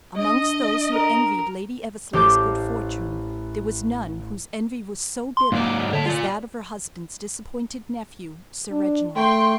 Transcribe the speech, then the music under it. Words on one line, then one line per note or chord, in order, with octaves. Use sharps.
Amongst those who envied Lady Eversleigh's good fortune, there was none whose envy was so bitter as that of her husband's disappointed nephew, Sir Reginald.
D4 D#5
A#4
A1 G4 C5 A5 D6 G6
C6
G#2 F#3 A#3 D5
D3 C#5 A5
F4 D5
D4
A3 G5 C6 C#6